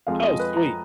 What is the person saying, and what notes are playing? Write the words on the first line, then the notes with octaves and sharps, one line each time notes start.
Oh, sweet.
F2 F3 G#3 F5
D#5
B4
A#5